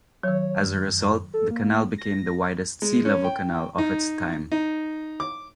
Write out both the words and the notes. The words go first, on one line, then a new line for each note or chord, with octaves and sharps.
As a result, the canal became the widest sea level canal of its time.
D#3 F#3 C#5
F#2
A4
A#3
A#6
G#3
C#4
G5
D#4
D#4
D6